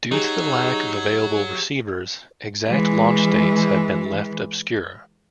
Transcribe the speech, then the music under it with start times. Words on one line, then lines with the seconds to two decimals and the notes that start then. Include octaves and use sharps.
Due to the lack of available receivers, exact launch dates have been left obscure.
0.11 F#3 D#4 G4 G#4
2.69 E3 G#3